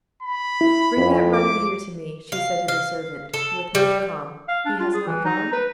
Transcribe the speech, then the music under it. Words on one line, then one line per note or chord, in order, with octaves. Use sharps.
"Bring that runner here to me," she said to the servant, with much calm. "He has not gone?"
B5
E4
F2
D6
F5
F5
A4
G3
F5
D4
F4
G#4
E3
D#4
B4